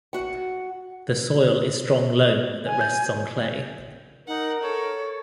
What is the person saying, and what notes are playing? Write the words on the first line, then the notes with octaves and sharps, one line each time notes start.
The soil is strong loam that rests on clay.
F#4 F#5
G#5
G6
D#4 A#4 F#5
A4 C#5